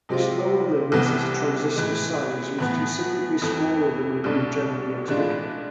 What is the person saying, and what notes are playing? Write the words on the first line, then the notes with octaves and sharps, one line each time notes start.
This lower limit to transistor size was considerably smaller than had been generally expected.
C3 G#3 C4 F4
C2 C3 E3 B3
A2 E3 G#3
A2 E3 B3
F2 E3 A3
C2 B2 A3 D4
A2 E3 G#3 D4 F4